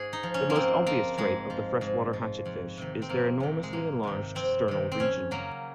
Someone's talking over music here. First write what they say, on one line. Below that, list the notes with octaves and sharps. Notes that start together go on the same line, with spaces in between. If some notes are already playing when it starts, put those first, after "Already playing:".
The most obvious trait of the freshwater hatchetfish is their enormously enlarged sternal region.
Already playing: G#2 G#4
D#4
F3
C#4
A#3
G#2 C4
F3 A#3
G#2 G#3
F3
G#2
F3
F2
C3 D#3
C4
F2 A#3
C3 D#3
G#3
F2 A#3
C3 D#3
F2 C4
C3 D#3
C4
F2 C#4
C#3 F#3 A#3